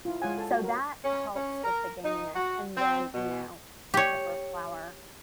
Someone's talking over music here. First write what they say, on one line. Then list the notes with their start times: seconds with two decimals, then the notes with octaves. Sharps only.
so that helps with the gaminess and, then, you know, salt, pepper, flour
0.05 E4 F4
0.22 G#3 F4 C#5 F#5 G#5
0.38 A4 A5
0.51 F#4
0.64 A#4 C#5
1.04 C#4
1.35 C#4
1.63 A#4
2.05 D#4
2.35 F#4
2.77 C4
3.13 B2
3.94 G4 C#5